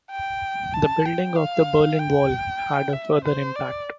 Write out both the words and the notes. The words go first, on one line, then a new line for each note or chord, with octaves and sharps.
The building of the Berlin Wall had a further impact.
G5
A5
G5
F5
G5
E5
C5
D5